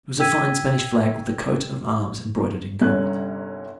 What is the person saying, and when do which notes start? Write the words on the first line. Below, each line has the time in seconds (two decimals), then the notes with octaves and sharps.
It was a fine Spanish flag with the coat of arms embroidered in gold.
0.19 G5 E6 G#6 B6 D#7
2.81 G1 C2 D3 C#4 F#6